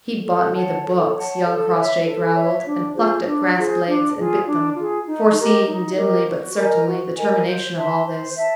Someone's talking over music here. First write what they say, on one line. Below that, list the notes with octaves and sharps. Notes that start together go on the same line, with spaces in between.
"He bought me the books," young Crossjay growled, and plucked at grass blades and bit them, foreseeing dimly but certainly the termination of all this.
A4
C#5 F#5 A5
A4
C#5 F#5 A5
A4
C#5 E5
A4
C#5 E5
D4
F4 G#4 C5
D4
F4 G#4 C5
D4
F4 G#4
D4
F4 G#4
D#4
G4 A#4 D#5
D#4
G4 A#4 D#5
F#4
A#4 D#5 G#5
F#4
A#4 D#5 G#5
C5
E5 A5 C6
C5
E5 A5